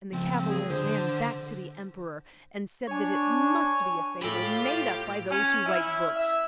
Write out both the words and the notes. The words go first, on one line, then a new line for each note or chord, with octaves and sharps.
And the Cavalier ran back to the Emperor, and said that it must be a fable made up by those who write books.
C#2 F3 C4
G#4
D3 C5
D4 C#5 G#5 C#6
A2 F4 G4 B5
C#4
E4
E5